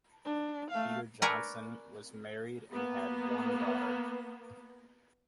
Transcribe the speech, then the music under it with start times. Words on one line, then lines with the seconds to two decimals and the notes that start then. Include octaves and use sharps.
Peter Johnson was married and had one daughter.
0.25 D4
0.70 A3 F5
1.22 A#4 B4 C#5 D5 G#5 A#5
2.71 A#3 B3